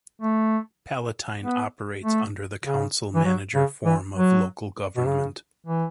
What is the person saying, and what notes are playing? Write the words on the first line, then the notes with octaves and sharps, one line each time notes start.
Palatine operates under the Council-manager form of local government.
A3
B3
A3
C#3
E3
F#3
C#3
E3
F#3
B2
C#3
E3